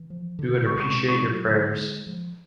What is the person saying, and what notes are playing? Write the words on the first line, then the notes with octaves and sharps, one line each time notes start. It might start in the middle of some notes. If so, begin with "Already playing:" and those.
We would appreciate your prayers.
Already playing: E3
F3
D3
G#3 C#6
C#6
B2
C#6
F#3
D3
G#3
F3